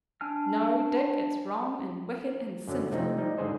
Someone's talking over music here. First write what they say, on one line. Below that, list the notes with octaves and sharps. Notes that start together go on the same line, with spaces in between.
No, Dick, it's wrong and wicked and sinful.
D4 G#5 F6
F#2 D3 F#3
C3 F3 A3 C4 D#4
G3 D#4
G#2 D3 G#4 C5 D#5